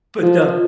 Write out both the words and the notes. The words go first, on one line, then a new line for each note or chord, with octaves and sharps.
But, um
F3